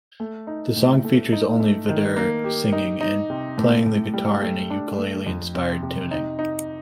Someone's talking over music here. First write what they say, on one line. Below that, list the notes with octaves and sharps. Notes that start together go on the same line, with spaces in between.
The song features only Vedder singing and playing the guitar in a ukulele-inspired tuning.
A3
D#4
A2
A3
D#4
A3
D#3
A#3
G4
D#4
D#4
C3
A2
A2
G3
A3
D4
A3
F2
C3
C3
D#4
D#4